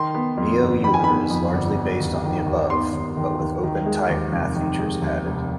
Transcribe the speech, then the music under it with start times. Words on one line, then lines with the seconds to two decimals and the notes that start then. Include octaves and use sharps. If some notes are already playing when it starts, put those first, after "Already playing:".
Neo Euler is largely based on the above, but with OpenType math features added.
Already playing: D#3 C6
0.15 B3
0.37 F2
0.61 G1
0.84 D#3 B5
0.94 G#5
1.04 B3 B5
1.30 F2
1.54 G1
1.77 B3
2.00 D#2
2.24 D#3
2.46 D#2
2.70 B3 C6
2.93 D#2
3.17 D#3
3.40 D#2
3.63 D#3
3.86 G#3
4.09 D#2
4.33 F1
4.56 D#3
4.79 G#3
5.02 D#2
5.25 F1